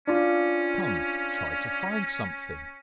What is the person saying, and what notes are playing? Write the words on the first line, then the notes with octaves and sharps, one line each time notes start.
Come, try to find something!
C#4 D4 F4